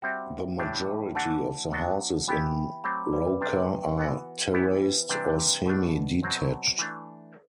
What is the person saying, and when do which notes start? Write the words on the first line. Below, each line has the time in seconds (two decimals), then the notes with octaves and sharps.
The majority of the houses in Roker are terraced or semi-detached.
0.02 G3 C4 F#4 E5 G5
0.59 A2 E3 G3 D4
1.15 E3 A3 D4 F#4 F#5 A5
1.72 F#3 B3 D4 F#4
2.28 E3 B3 E4 G4 G5 B5
2.84 F#3 A3 C4 B5 D6
3.13 B4 D5
3.27 B4
3.41 C3 G3 D4 B4
3.97 E3 B3 F#4
4.53 E3 B3 E4 G4 C5
4.82 B4
5.09 C3 E3 G3 D4 B4
5.66 B2 A3 D4
6.23 B2 F#3 C4
6.78 E3 A3 D4